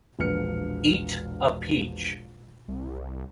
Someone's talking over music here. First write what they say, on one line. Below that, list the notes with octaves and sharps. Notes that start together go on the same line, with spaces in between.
Eat a peach.
E1 A#1 B4 F6 C#7
C2